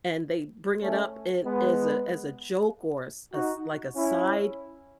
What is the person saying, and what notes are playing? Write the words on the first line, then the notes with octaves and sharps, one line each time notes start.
and they bring it up in as a as a joke or a s s like a side,
A3 C#4
G#3 B3
D#4 F#4
C#4 E4